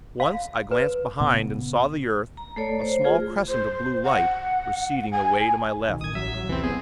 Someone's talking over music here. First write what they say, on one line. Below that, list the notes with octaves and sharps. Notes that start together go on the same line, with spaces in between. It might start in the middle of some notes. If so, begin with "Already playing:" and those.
Once, I glanced behind, and saw the earth, a small crescent of blue light, receding away to my left.
F5
B4
A#2 C#3 B3
A#5
A3 A4 C#5 D5
C5 C#5
A3 F4 G#4
C5
F#5
G#5
B1 D#3
A1 D#6 G#6
F#3 E5 B6
B1 E2 C3 E3 C4
B3 G#4